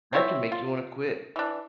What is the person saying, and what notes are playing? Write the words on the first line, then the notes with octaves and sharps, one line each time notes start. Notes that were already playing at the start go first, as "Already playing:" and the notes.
that can make you wanna quit.
C4 E4 C#5 E5
F4
E3 D4